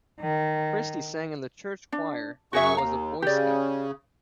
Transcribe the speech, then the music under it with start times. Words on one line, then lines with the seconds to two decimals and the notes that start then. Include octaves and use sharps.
Christie sang in the church choir and was a Boy Scout.
0.20 D#3
1.92 D4
2.53 F#2 F#4 G#4 E5 C#6
2.77 D#2 F5 A#5
3.22 C#3 G4 D5